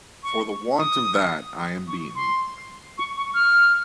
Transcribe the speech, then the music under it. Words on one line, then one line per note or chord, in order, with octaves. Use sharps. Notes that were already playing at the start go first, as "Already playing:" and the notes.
For the want of that I am beaten.
C#6
D#6
C#6
C6
C#6
C#6
F6